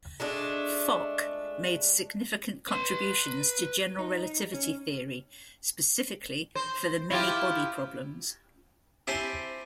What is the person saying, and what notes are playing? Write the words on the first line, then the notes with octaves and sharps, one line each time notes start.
Fock made significant contributions to general relativity theory, specifically for the many body problems.
G#3 A3 D4
B4 C6
D#4
C#4
C5
E4 F4 G4
C4 E4 G4 C5 G#5 A5